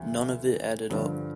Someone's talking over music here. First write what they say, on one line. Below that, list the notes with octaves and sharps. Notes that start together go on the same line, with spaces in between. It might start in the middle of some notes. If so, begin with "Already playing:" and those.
None of it added up.
Already playing: D2 C3 F3
G2 D3 F3